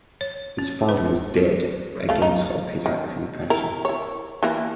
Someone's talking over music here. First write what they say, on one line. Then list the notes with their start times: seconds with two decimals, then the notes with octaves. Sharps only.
His father was dead against of his acting passion.
0.21 C#5
0.59 C#4
0.89 B4
2.09 A3 F5
2.22 D#4
2.86 D#3
3.50 E4 A#4
3.85 E4 C#5
4.43 E3 A#3 E4